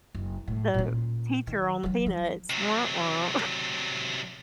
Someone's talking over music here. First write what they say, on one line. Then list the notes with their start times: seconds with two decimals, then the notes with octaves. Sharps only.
the teacher on the Peanuts, "Wah, wah."
0.15 F#1
0.47 A2
0.74 A#2 C#4
1.47 D#3
1.83 E3 F#3
2.06 F3
2.50 C3 F#3